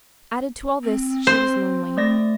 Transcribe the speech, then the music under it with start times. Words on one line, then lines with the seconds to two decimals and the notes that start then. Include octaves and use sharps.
Added to all this, she was lonely.
0.84 C4
1.27 C5
1.97 A3 D5 A#6